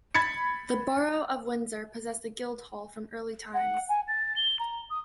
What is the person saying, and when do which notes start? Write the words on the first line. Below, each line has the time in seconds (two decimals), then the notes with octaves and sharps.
The Borough of Windsor possessed a guildhall from early times.
0.14 B5 G#6 A6 C#7
3.54 F#5
3.89 G#5
4.08 A6
4.36 G7
4.59 A#5
4.90 D#6